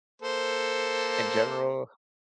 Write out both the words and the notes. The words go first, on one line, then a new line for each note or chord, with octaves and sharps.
in general."
A#3 A4 C5